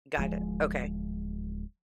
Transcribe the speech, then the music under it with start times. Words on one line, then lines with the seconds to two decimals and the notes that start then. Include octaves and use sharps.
Got it. Okay.
0.17 D1 F3 G#3